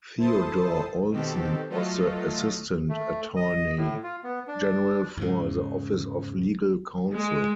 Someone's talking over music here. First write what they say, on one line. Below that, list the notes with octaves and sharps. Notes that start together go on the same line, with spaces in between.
Theodore Olson was the Assistant Attorney General for the Office of Legal Counsel.
E4 A4 C5 A5 C6 D#6
B2 D#3 C4 G4 A4
F#3 A3 F4 A4 D#5
A3
D#5
A2
F4
B3
D4
E2 G#2 C#3
G#3